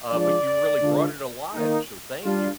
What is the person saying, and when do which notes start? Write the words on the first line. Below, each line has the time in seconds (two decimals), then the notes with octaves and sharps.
uh, but you really brought it alive, so thank you.
0.11 F3 G#3 D4 F4 D5
0.81 D3 G#3 D4 F4
1.53 D#3 A#3 D#4
2.23 G3 D4 F4